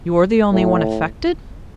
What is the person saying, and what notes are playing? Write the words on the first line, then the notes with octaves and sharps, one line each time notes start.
'You are the only one affected?'
A2